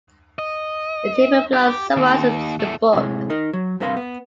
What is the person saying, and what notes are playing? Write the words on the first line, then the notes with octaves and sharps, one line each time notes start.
The table below summarizes the book.
D#5
G4
D#2
E2 A3
A2 C3 G#3
D#4 A#4
F#3
G2 C3 A#4 B4 F5 C6
B3